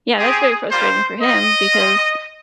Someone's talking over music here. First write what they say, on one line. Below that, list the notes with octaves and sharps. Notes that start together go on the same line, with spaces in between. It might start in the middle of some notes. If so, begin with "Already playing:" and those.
yeah, that's very frustrating for him because
C4 G4 G#4
G3 A#3 F4 C5
C4 F4 D#5
F4
C4